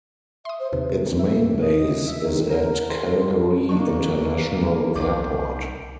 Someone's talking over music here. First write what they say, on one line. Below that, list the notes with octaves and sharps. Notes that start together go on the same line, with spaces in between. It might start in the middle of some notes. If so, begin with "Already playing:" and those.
Its main base is at Calgary International Airport.
E5 C6 D#6
C5
D#2 C3 B4
C3
E5
D#5
E5
D#3
A#4
C6
A#3 D4 D#4 C#6
C2 D#3 D6